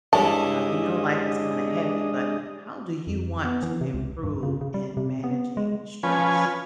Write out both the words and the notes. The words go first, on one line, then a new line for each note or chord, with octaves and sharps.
now, we know life is kinda heavy, but how do you want to improve in managing stress?
G2 G#3 C#4 D4 E4 D#5 A5
F2
B3
E3
C3
C#2
G2
C#3
C#3
G3
C3
B3
G#3
F3 C#4 B4 G#5